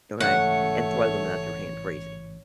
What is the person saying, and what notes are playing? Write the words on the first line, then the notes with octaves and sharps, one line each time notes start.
Okay? And throw them without your hand freezing.
A1 G#2 C#3 A3 C#5 F#5